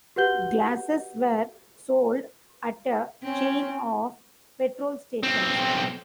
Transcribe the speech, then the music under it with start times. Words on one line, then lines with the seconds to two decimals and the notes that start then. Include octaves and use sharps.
Glasses were sold at a chain of petrol stations.
0.16 F#4 G4 B4 F#5 G6 G7
3.23 C4 C#4
5.23 B1 C4